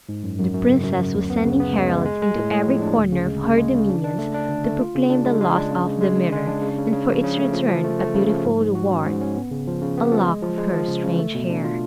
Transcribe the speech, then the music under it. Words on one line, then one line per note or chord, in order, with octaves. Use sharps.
The princess was sending heralds into every corner of her dominions to proclaim the loss of the mirror, and for its return a beautiful reward--a lock of her strange hair.
G#2
F#2
F#2
F#2
C#3
F#2
F#2
D2
B3
C#3
B3
G#3
G#3
G#3
G#3
A2
A2
F3
D4
D2
C#3
G#3
C#3
G#3
C#3
D4
D4
A3
D4
D3
A3
F4
C#3
D4
G#3
G#3
D4
C#3
G#3
G#3
C#3
G#3
D4
C#3
C#3
C#3
F3
C#3
A3
F3
F3
A3
A3
C#3
F3
G#2
G#2
F#4
C#4
G#2
C#4
B3
C#3
F3
C#3
B3
F3
G#3
F3
G#3
F3
C#3
C#3
A3
B2
D4
F4